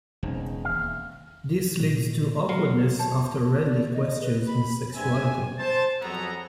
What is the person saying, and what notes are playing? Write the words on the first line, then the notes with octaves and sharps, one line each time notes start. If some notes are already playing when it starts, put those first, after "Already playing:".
This leads to awkwardness after Randy questions his sexuality.
E1 C#3 C4 D#4
D#2 E5 F5
A#2
F#3 F5
C5 C#5 A5
D5
D#5
B4
B5
G2 C4 E5 G#5
C5 A5
F2 F#3 B3 G#4 A4 A#5